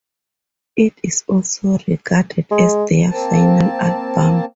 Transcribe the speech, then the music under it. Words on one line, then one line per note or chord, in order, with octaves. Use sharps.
It is also regarded as their final album.
G#3
A#3 C4 A5